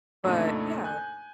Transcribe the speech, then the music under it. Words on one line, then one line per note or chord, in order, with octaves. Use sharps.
but, yeah,
F2 A#2 C#3 A3 D4 D#4
G#5 F#6 G6